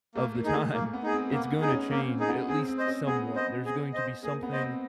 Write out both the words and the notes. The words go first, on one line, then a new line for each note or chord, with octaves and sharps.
of the time, it's gonna change at least somewhat, there's going to be something
A3 A#3
A#3
D#4 G#4
A3
A#3
B3
D#4 G#4
C4
A#3 B3
B3
D#4 G#4
C#4
A#3 C4
D#4 G#4
B3
C4 G#4
C4
C5 D#5
C#4
B3 G#4
C5 D#5
G#4
C5 D#5
A#3 G#4
B3
C5 D#5
C4